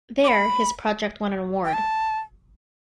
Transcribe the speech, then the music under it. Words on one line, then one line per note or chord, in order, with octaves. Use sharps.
There his project won an award.
D6
B5
G5
A5